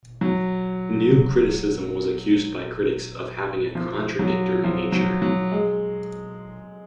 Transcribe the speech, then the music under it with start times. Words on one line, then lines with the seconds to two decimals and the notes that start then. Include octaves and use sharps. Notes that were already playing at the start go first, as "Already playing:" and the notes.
New Criticism was accused by critics of having a contradictory nature.
0.21 F#3
3.75 F3
4.19 F#3
4.64 F3
4.92 F#3
5.22 F#3
5.52 G#3